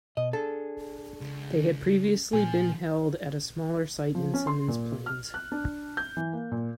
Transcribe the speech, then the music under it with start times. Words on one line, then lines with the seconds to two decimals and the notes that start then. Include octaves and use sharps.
They had previously been held at a smaller site in Simmons plains.
0.17 B2 D#5
0.33 D4 G#4 A4
1.21 C#2
2.33 A#2 F3 G#5
4.15 F3
4.34 C#4
4.47 C6
4.68 A#2
5.06 F6
5.34 F#6
5.52 D4
5.97 G6
6.17 E3
6.33 A#3
6.52 A#2